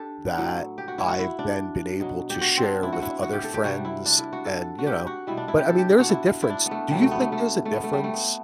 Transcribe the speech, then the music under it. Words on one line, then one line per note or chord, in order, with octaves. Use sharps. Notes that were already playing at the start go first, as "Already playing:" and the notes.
that I've then been able to share with other friends and, you know but, I mean, there's a difference. Do you think there's a difference
Already playing: D4 G4 A4
A2 F#3
G4
F#4
E4
F#4
E4
D4
B2 F#3
G4
F#4
C4
D4
E4
F#4
E4
F#4
G4
A4
G4
C3 G3 F#4
E4
D4
E4
F#4
A4
F#4
G4
F#4
B2 G3 E4
D4
E4
G4
A4
G4
D4
F#4
E4
E4
D4
B3
A3
C3 F#3 G3
A3
B3
A3
A3
A3
B3
A3
G3
A3
B3